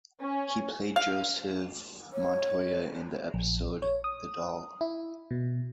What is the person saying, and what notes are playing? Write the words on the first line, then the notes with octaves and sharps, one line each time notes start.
He played Joseph Montoya in the episode "The Doll".
C#4
F5
C#5
A#1
C#5
D#6
E4
B2